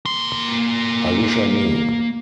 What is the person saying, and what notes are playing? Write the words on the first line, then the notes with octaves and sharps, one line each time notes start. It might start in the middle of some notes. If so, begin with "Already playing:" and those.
I wish I knew.
A#3 C6